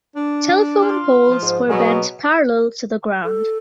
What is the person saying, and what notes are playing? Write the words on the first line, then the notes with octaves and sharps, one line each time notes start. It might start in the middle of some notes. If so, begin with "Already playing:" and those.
Telephone poles were bent parallel to the ground.
D4
F4
F3
G#2
B2 F#3 G#4
A4